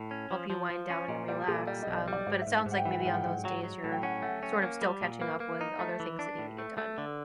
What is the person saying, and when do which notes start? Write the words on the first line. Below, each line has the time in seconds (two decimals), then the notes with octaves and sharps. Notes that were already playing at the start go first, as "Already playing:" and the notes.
help you wind down and relax. Um, but it sounds like maybe on those days, you're sort of still catching up with other things that need to get done.
Already playing: A2
0.11 C#4
0.31 F3
0.50 F3
0.70 F3
0.90 C#4
1.09 A#2 D#5
1.28 G3 D5
1.48 A#2 A4
1.67 G3 D5
1.83 D#5
1.87 B1
1.97 D5
2.08 G3 D5
2.27 G#2 D5
2.42 E5
2.47 G#2
2.56 E5
2.66 G#2 F#5
2.78 G5
2.85 E3 F#5
2.93 G5
3.00 F#5
3.05 G#2 G5
3.14 F#5
3.21 G5
3.25 G#2 F#5
3.45 F#3 F#5
3.63 F#3
3.84 A2
3.92 G5
4.03 C#4 F#5
4.22 A3 F#5
4.43 C#4
4.62 A#3
4.82 G3
5.01 A#2
5.21 A#3 B4
5.40 A#3
5.61 D#4
5.79 A3
6.00 E3
6.19 D4
6.39 A2
6.58 A3
6.78 A3
6.98 D3